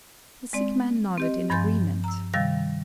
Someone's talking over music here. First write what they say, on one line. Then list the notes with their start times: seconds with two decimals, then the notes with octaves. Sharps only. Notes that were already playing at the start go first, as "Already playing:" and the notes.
The sick man nodded in agreement.
0.53 G#3 C4 D5
1.18 C4 G4 D#5
1.50 G2 F3 G#5 C6 G6 A6
2.04 A#5 E6
2.34 C3 D#3 G3 F5 A6